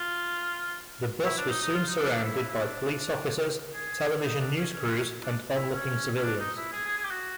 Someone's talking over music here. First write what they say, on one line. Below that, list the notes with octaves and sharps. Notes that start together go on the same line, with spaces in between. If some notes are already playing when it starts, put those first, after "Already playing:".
The bus was soon surrounded by police officers, television news crews, and onlooking civilians.
Already playing: F4
E4
D4
D#4
D#4
F4
D#4
D4
D4
E4
E4
E4
D4
G#4
D#4
D4
C#4
C#4
D4
E4
C#4
C#4
D4
D#4
E4
G#4
G#4
G#4
G4
F#4